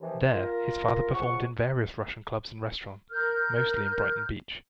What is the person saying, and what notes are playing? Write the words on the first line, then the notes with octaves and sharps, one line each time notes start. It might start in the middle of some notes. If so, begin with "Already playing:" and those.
There, his father performed in various Russian clubs and restaurants, mostly in Brighton Beach.
D#2 C3 E3 F3
F4 A#4
C#2 F3 F#5 C#6
A#4 F6 G6